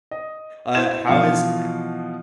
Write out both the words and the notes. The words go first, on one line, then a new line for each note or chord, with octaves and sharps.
uh, how is ha
D#5
E4 C5 G#6 E7
B2 E3 F3 F4 F5 C#7